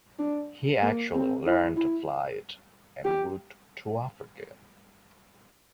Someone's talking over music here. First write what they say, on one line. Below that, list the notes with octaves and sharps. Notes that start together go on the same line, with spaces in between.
He actually learned to fly it en route to Africa.
D4
A#3
C4
E4
E4
G4